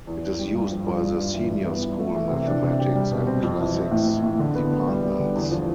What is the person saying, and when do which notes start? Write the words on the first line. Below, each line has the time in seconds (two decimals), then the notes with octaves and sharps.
It is used by the Senior School Mathematics and Classics Departments.
0.07 E2
0.22 E2
0.39 G3
0.55 G2
0.71 F3
0.87 F4
1.03 G2
1.19 G2
1.34 E3
1.51 G2
1.67 B3
1.83 E3
1.99 A3
2.15 E3
2.30 C3
2.47 D4
2.63 C3
2.79 G4
2.95 G3
3.11 B2
3.27 C4
3.43 F2
3.59 E3
3.75 F2
3.91 A2
4.07 E3
4.23 A2
4.39 D3
4.55 B3
4.71 B3
4.87 G3
5.03 G3
5.19 D3
5.35 E2
5.51 F3